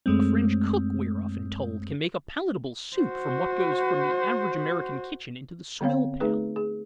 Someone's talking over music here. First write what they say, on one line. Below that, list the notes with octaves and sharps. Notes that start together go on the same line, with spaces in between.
A French cook, we are often told, can make a palatable soup from what goes from the average American kitchen into the swill-pail.
F#2 G#3 A3 C4
F#4 C5
D3 B3 C4 C#5 F5
A3 D#4 G#4 B4
G#4